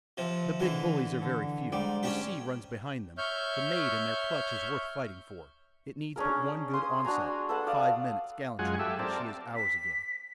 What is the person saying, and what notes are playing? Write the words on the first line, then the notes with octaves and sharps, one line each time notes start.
The big bullies are very few; the sea runs behind them; the maid in their clutch is worth fighting for; it needs but one good onset, five minutes' gallantry, and she is ours again.
C3 F3
D3 E3 G#3
D3
G#2 G3 D5
C#4 D4 G4
C#5 E5 F6 G6
C#4 D4 G#4 A#4
C6 D#6
D4 F#4 G#5 A#5
A4 B4 F#5 A5
D5 F5 D#6
F#2 G#3 F4 F#5 G#5
G4 A4 E5
C4 A#4 D5 A5
B6